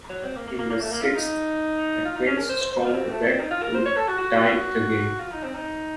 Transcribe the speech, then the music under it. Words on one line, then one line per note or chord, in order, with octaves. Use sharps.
In the sixth, the Twins stormed back to tie the game.
F#3
C4
A#3
A#3
A#3
A#3
A3
A#3
F4
D#4
F4
D#4
C#4
A#4
C5
C5
C5
F4
C4
A3
C4
D#4
F4
A#4
C5
C#5
A4
F#4
F#4
F4
D#4
C4
D#4